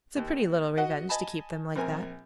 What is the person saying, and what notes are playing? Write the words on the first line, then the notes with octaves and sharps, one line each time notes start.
It's a pretty little revenge to keep them like that.'
D#2
F#4 D#5 F#5
D#5 G#5 A5 B5
A#1 C4 A#4 G#5